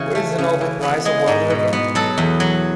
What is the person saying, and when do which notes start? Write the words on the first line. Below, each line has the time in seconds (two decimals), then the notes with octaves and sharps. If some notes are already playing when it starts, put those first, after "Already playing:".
Where is the Nobel Prize awarded again?
Already playing: C#3 E3 F#4
0.15 A3
0.38 C#3
0.61 E3
0.82 B3
1.05 G#3 G#4
1.28 G#2
1.50 B2
1.73 B3
1.95 F#3 A4
2.18 E2
2.40 F#3